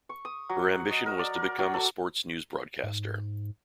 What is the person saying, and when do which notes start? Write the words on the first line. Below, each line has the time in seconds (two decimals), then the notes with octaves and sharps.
Her ambition was to become a sports newsbroadcaster.
0.09 C#6
0.25 D#6
0.49 F#3
0.74 F#5
0.91 D#5
1.06 A#4
1.19 D5
1.36 A#4
1.59 F#3
1.74 A4
2.83 G#2